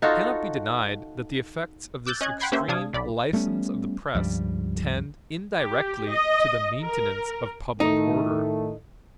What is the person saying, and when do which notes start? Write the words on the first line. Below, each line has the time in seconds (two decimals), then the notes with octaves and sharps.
It cannot be denied that the effects of this extreme license of the press tend indirectly to the maintenance of public order.
0.02 D#4 F4 F#4 A4
2.07 D6 E6 F#6 G6 A6
2.21 C#4 D#5 F#6 G#6
2.40 F#5 G5 B5 C6 G#6
2.52 A#3 C#4 G4 B4 C5 E5
2.68 C3 D4 F5 A5 D#6 G#6
2.93 B1 D5 B5
3.33 G3 A3 B3 C#4
4.15 C#2 G2 F3 G3
5.56 G4
6.10 D#5
6.82 A#4
7.80 A2 D#3 A3 D#4